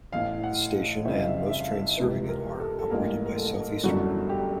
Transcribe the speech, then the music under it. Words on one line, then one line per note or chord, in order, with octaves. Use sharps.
The station, and most trains serving it, are operated by Southeastern.
A1 A2 E3 F5
F#5
F2 C#3 E3 G3 C4 E5
F5
E5
F5
E5
F5
E5
C#2 C3 E3 B4
A#4
A4
A4
A1 G#2 E3 G3 A#3 A#4
A#4
A4
G1 F#2 D3 F#3 A3 F#4
G4